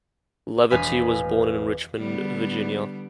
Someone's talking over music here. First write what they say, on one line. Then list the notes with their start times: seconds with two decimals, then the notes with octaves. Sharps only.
Leverty was born in Richmond, Virginia.
0.70 E1 F5 G#5 B5 D#6
1.98 D3 G3 B3